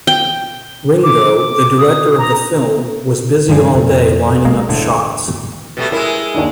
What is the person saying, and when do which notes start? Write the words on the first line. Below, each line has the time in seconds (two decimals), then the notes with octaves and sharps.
Ringo, the director of the film, was busy all day lining up shots.
0.07 G5
1.03 D6
1.78 D#6
2.18 A#5
3.49 G2 D3 F3 G#3
3.75 F2 A#2
4.45 A#1 G#3 A#3
4.69 E1 A2 D3
5.77 B2 G3 A3
5.92 G#3 E4 A#4
6.35 D#2 D4 D#4